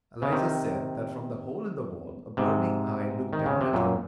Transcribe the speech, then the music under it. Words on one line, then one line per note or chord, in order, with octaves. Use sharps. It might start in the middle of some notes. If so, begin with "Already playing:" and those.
"Eliza said that from the hole in the wall a burning eye looked down at her!"
C#3
C3 D#3
G#2 C3
D#3
C#3
C3
F#2 A#2